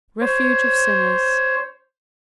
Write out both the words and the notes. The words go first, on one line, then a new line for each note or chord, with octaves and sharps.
Refuge of sinners.
C5 C#5